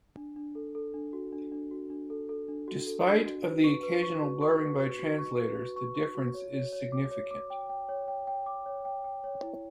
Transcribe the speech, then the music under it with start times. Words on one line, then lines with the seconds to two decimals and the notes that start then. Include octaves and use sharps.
Despite of the occasional blurring by translators, the difference is significant.
0.17 D4
0.36 D4
0.55 A4
0.75 A4
0.94 D4
1.13 F#4
1.33 D4
1.52 D4
1.71 F#4
1.90 D4
2.10 A4
2.29 A4
2.48 D4
2.68 F#4
2.87 A4
3.06 D4
3.26 F#4
3.45 B4
3.64 C#6
3.83 B4
4.02 C#6
4.22 F#4
4.41 C#6
4.61 B4
4.80 F#4
4.99 F#4
5.18 C#6
5.37 B4
5.57 F#4
5.76 C#6
5.95 C#6
6.15 F#4
6.34 C#5
6.53 C#5
6.73 C#5
6.92 D6
7.11 C#5
7.31 D6
7.50 G5
7.69 G5
7.89 C#5
8.08 G5
8.27 G5
8.46 D6
8.66 C#5
8.85 G5
9.04 G5
9.24 C#5
9.43 E4